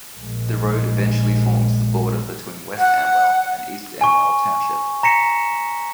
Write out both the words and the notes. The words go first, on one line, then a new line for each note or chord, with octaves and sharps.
The road eventually forms the border between West Amwell and East Amwell Township.
A#1 G#3
F#5
G#5 C#6
A#5 A#6 B6 C#7 E7